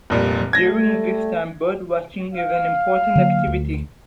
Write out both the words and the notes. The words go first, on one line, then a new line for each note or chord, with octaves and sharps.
During this time bird watching is an important activity.
F1 A#2 G3
G3 A3 G#6 A#6
F5
D3 F#3 A#3
D2